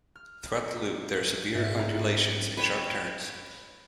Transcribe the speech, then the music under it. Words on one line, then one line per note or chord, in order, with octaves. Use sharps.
Throughout the loop there are severe undulations and sharp turns.
F6
G#2 E5
C4 E4 A#5
B4 C#5 G5